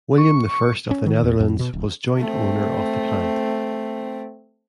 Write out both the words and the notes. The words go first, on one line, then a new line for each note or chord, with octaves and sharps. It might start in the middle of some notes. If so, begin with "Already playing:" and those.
William the First of the Netherlands was joint owner of the plant.
C#6
C#4
D#3
E2
F2
B2
D1
A3 C4